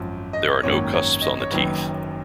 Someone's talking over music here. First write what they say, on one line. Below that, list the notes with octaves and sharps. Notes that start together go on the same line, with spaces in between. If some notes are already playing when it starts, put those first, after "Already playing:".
There are no cusps on the teeth.
Already playing: G#1 F#2 F3
D#5
G#1 F#2 D#3 A#3 C#5
C#5
D#5
C#5
F#1 F#2 D#3 F#3 B4